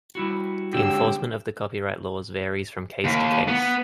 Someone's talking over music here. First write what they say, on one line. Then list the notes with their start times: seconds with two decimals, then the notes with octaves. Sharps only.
The enforcement of the copyright laws varies from case to case.
0.15 G3 E4 F#4
0.74 D3 G#3 G4 E6
3.05 D#2
3.48 B3